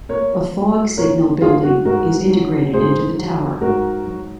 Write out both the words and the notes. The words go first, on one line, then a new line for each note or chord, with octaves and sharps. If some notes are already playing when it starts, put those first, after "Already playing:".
A fog signal building is integrated into the tower.
A#2 A#4 C#5
F#3
A#2 A#4 C#5
F#3 F4 G#4
F#4
G#2 F#4 A#4
F#3
G#2 G#4 C5
F#3
G#2 F#4 A#4
F#3